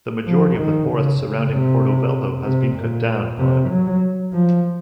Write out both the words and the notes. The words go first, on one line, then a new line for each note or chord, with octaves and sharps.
The majority of the forest surrounding Porto Velho has been cut down, however.
F3
D#3
C#3
C#3
C3
C3
A#2
C3
F#3
F3